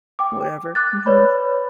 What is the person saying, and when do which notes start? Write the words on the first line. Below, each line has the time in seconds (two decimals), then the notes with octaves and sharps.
whatever, mhm.
0.19 G5 D6
0.75 D6 F#6 A6
1.06 B4 C#5 D5 B5